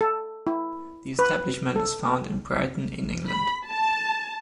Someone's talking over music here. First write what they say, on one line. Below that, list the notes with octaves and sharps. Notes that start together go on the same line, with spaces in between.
The establishment is found in Brighton, in England.
A4
E4
B4
A4
B5
A5